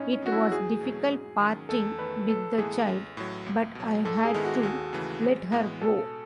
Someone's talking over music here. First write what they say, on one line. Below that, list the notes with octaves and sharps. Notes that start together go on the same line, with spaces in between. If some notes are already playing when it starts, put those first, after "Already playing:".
It was difficult parting with the child, but I had to let her go.
Already playing: A2 C#4 D#4
C#4
F#3 B3 F#4
E4
E2 G#4
B2 F#3 A3
G#2
D#3 F#3 C#4
E2 A4
D#3 A3 B4
B1 A4
A2 E3 G#3 B3 G#4
A1
A2 F#3
C#2
B2 F#3
G#2 A4
G#4
D#3 G#3 B3 E4
F#4
D#2 G#4
C#3 E3 A3
A1
A2 G#3 B3
B2 A4